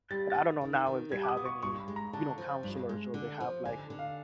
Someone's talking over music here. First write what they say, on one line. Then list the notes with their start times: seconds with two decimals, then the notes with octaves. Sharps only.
but I don't know now if they have any, you know, counselors or they have like,
0.11 G3 A6
0.30 B3 A6
0.61 D#3
0.86 D#3
1.12 G3 G#6
1.23 D6
1.28 D#6
1.37 B3
1.45 C#6
1.62 G2 C#6
1.80 B5
1.88 G#3
1.96 A#5
2.13 D3 A5
2.38 F3
2.63 G2
2.89 G#3
3.14 D3
3.40 F3
3.65 D3 G#5
3.90 D3
3.99 F5